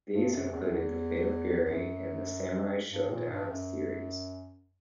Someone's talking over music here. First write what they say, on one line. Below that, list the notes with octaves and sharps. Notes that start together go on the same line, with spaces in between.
These included the Fatal Fury and the Samurai Shodown series.
G2
F#2
E2
F#2
E2
E2
F#2
G2
A#2
G2
F#2